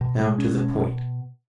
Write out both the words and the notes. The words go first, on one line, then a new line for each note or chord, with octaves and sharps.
Now, to the point.
B2
G#3
C#4
B2
B2